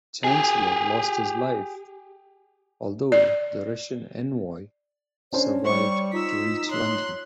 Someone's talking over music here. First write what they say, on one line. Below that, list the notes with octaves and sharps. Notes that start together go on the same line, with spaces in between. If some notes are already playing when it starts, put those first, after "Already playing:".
Chancellor lost his life, although the Russian envoy survived to reach London.
G4 G#4
D5
C#4 D4 C5 C#5
G3 C5 C#6
D#4 F4 E6 B6
C#5 C6 F#6